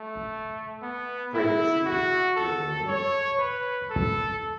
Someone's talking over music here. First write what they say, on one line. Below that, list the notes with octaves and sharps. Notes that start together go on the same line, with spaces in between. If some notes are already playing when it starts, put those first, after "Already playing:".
Pray be seated — here near me.
Already playing: A3
B3
E4
F#4
A4
C#5
B4
A4